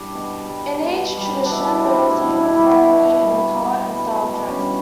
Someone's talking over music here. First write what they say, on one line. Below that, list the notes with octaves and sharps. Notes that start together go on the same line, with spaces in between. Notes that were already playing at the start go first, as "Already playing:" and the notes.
In each tradition there is uniformity in the colour and style of dress.
Already playing: G3 D4 G4
B2
G3
B2
G3
D4
B2 E4
G3
E4
B2 D4
E4
G3 G4
F#4
B2
G3
B2
G3
B2 D4
D4
C#4
G3